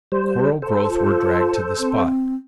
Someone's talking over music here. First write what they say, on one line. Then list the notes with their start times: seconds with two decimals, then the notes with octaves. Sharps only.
Coral growth were dragged to the spot.
0.12 G3 C5
0.62 A4 C5
0.89 F4
1.79 C4